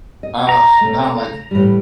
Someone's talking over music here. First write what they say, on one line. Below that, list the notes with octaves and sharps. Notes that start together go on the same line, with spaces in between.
Ugh, now I'm like
D#5
A#5
C#3 A3
A2 E3 G3